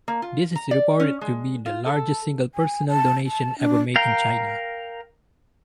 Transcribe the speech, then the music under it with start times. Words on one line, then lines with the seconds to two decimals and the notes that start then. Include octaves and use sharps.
This is reported to be the largest single personal donation ever made in China.
0.08 A#3
0.22 F4
0.55 A#5
0.71 D5
1.00 C#4
1.21 G#3
1.66 F4
1.86 A4
2.55 G#5
2.88 A5
3.26 A5
3.59 D4
3.96 A#4 F5 G5 A#5